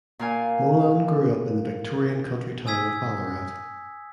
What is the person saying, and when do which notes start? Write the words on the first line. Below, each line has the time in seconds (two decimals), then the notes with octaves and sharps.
Molan grew up in the Victorian country town of Ballarat.
0.19 A#2 F5 G#5
2.67 G#5 D#6 E6 G#6 B6